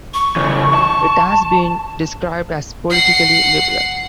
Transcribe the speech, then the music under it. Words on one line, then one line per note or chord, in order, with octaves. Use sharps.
It has been described as politically liberal.
C#6
C#3 E3
A5
F#5 C7